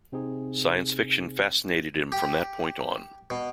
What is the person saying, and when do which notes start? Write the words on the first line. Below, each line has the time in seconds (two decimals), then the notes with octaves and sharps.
Science fiction fascinated him from that point on.
0.12 C3 C4 D#4 G#4
2.12 G4
3.30 B2